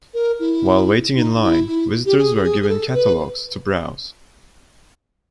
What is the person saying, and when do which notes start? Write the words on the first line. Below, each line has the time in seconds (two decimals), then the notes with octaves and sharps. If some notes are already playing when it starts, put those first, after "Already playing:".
While waiting in line, visitors were given catalogs to browse.
0.14 A#4
0.40 E4
1.16 D#4
1.42 E4
1.67 E4
2.06 G4
2.18 G#4
2.36 G4
2.44 G#4
2.62 G#4
2.69 A4
2.94 B4